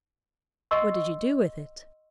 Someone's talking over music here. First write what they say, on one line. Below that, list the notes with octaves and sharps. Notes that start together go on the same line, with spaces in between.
'What did you do with it?'
D#5 F#5 C6 C#6 E6